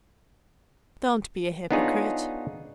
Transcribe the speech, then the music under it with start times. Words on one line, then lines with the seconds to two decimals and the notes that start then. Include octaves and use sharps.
'Don't be a hypocrite.
1.71 B3 D4 D#4 F4 G#4 C#5